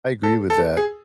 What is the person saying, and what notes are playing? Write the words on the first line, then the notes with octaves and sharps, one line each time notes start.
I agree with that.
A4
A4
G#4